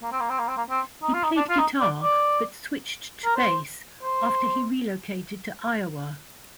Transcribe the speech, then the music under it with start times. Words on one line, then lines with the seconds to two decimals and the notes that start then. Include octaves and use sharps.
He played guitar but switched to bass after he relocated to Iowa.
0.02 A#3
0.12 C4
0.20 A#3
0.29 C4
0.39 A#3
0.48 C4
0.57 A#3
0.70 C4
1.02 D#4
1.14 F4
1.24 D#4
1.36 D4
1.49 F4
1.59 D#4
1.81 D5
2.03 D5
3.25 A#4
3.36 C5
4.03 C5